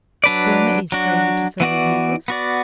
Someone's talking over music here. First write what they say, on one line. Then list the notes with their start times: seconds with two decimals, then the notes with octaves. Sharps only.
Boehmer is crazy to sell his necklace.
0.24 F#3 D4 B4 D5
0.92 F#3 D4 F#4
1.60 E3 B3 F#4 D5
2.28 B3 F#4 D5